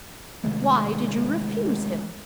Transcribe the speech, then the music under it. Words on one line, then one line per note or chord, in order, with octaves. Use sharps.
"Why did you refuse him?"
C3 D#3 G#3 A3